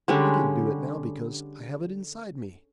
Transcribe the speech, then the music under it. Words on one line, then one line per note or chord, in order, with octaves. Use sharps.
I can do it now because I have it inside me.
D3 G3 G#3 C#4